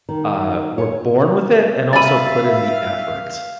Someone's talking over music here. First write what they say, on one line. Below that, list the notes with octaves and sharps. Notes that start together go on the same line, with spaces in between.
uh, were born with it and also put in the effort.
D#3
C#5
D5 E5 F5 B5 A6 D#7